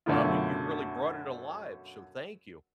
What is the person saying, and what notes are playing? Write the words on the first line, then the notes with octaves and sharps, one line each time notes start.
uh, but you really brought it alive, so thank you.
F#2 B2 D3 A3 E4 F4